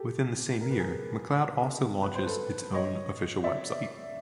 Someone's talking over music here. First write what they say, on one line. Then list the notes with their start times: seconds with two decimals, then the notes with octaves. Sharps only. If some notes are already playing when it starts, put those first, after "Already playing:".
Within the same year, McCloud also launches its own official website.
Already playing: G4 A4
0.61 A#4
0.70 B4
0.79 G#4 A#4
2.03 B4
2.15 C5
2.26 A4 B4
2.74 C#5 D#5
3.44 D5 E5